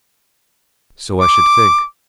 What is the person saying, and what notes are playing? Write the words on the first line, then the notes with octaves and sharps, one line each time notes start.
"So I should think."
D6